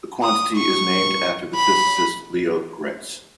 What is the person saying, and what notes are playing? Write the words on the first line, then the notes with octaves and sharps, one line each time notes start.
The quantity is named after the physicist Leo Graetz.
D#6
C#6
B5